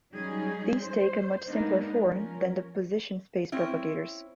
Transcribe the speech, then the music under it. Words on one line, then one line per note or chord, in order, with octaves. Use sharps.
These take a much simpler form than the position space propagators.
F#3 G3 C#4 D#4 G#4
C5
G#3 A#3 B3 D4 D#4 A#4
F3 C#4 A#4
C4 C#4 E4